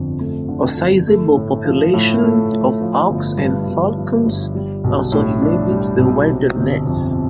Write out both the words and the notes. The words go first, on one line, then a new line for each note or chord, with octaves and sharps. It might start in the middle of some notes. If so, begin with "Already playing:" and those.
A sizeable population of hawks and falcons also inhabit the wilderness.
Already playing: G1 F2 D3
A3
D3
G1
A3
A2
F3
A2
A3
A2
F3
G1
G2
G1
F3
G1
G3
B1
A2
D4
G3
B1
C3
G1
F2